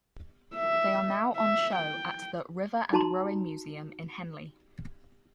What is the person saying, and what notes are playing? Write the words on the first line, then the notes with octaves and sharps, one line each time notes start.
They are now on show at the River and Rowing Museum in Henley.
E5
E5
G5
D#4 F#4 A5 A#5 C6